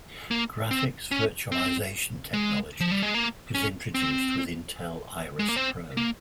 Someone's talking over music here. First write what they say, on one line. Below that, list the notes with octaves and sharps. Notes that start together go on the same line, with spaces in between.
Graphics Virtualization Technology was introduced with Intel Iris Pro.
A#3
C4
C#4
C4
G#3
F3
G3
G#3
A#3
C#4
C4
G#3
A#3
C4
A#3